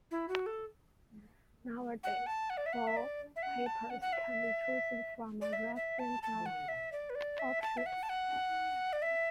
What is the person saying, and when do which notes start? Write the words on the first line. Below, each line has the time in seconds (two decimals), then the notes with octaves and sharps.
Nowadays, four papers can be chosen from a wide range of options.
0.11 E4
0.28 F#4
0.46 A4
2.04 F#5
2.26 A5
2.50 F#5
2.57 D5
2.66 E5
2.73 F#5
2.87 E5
2.97 D5
3.36 E5
3.43 F#5
3.66 A5
3.90 F#5
4.01 F#5
4.13 E5
5.41 D5
5.53 E5
5.76 E5
5.99 A5
6.23 A5
6.46 F#5
6.68 E5
6.92 D5
7.10 B4
7.15 D5
7.39 E5
7.62 A5
7.77 E5
7.86 F#5
8.03 A5
8.09 F#5
8.93 D5
9.02 E5